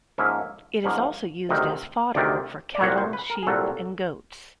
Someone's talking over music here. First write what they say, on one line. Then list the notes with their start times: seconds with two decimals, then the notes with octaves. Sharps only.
It is also used as fodder for cattle, sheep and goats.
0.18 G#2 F3 A#3 C#4 E5
0.84 G#2 F3 A#3 C#4
1.49 D2 C3 D#3 D#5
2.15 D2 C3 D#3 D5
2.75 D5
2.81 C2 A#2 F#3 C#5
2.98 C5
3.13 B4
3.30 A#4
3.43 G#4
3.47 C2 A#2 F#3 A4